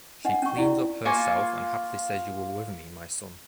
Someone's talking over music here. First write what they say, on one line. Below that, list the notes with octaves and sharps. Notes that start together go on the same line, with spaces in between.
She cleans up herself and happily says you were with me, my son?
D4 D#5 F#5
C#4 C#6
E4 F#4 D5
A#3 F4 G#5 C#6